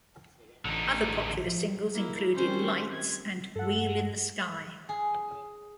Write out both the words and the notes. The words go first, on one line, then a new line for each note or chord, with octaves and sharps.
Other popular singles included "Lights" and "Wheel in the Sky".
A1 D3 D#4
F3
A#3 E4
D#3 G3 C4 C#4 C5
G#6
G2 A4 F#5
G#4